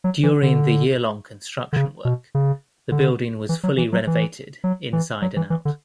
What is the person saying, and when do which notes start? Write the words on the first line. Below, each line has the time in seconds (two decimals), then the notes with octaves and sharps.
During the year-long construction work, the building was fully renovated inside and out.
0.04 F#3
0.23 E3
0.43 D3
1.73 D3
1.76 C#3
2.05 B2
2.35 C#3
2.92 D3
3.49 E3
3.63 F#3
3.78 E3
3.92 F#3
4.07 E3
4.64 F#3
4.93 E3
5.22 F#3
5.36 E3
5.50 E3
5.65 D3